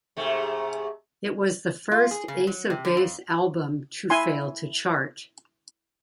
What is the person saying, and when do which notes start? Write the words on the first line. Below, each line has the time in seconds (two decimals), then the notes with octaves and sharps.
It was the first Ace of Base album to fail to chart.
0.17 G#2 C3 A3
1.92 F4
2.11 G#4
2.28 C#3
2.47 F#3
2.70 C3
2.85 D3
2.97 F2
4.10 E4 G#5 C6